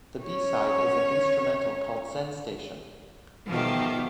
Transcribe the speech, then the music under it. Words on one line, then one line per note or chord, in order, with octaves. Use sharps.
The B-side is an instrumental called "Zenstation".
C#4 C#5
B2 D#3 F3 A3 G4